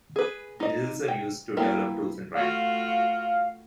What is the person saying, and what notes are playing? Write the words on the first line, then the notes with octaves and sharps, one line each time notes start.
The results are used to develop tools and training.
G#4 B4
D#4 D#5
G5
A#3 B3 E4 G4 A#4
A3 F4 F#4 F5